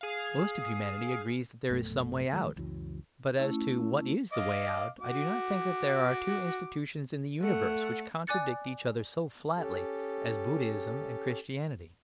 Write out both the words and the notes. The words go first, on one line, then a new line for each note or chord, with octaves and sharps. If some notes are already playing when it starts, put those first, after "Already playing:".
Most of humanity agrees that there is some way out. But as to what is the way out, I do not think that there are two institutions in the universe which contradict each other so flatly as Buddhism and Christianity.
G#4 F5
A#1 F#2 B2 A3
D#3 F3 G#3 A3
C#2 F#2 E3 F#3
A3 C#4 E4
D#5 F5 D6
F#4 D6
A3 A4 F#5
D5 G#5 D6 F#6 A6 C#7
C#4 G4 A4